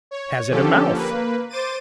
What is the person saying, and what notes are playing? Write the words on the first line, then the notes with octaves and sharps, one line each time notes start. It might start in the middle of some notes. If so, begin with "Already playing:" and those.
Has it a mouth?
C#5
D3 F3 C#4 G4 A4
A#3 B4
C5 D6 A6 D#7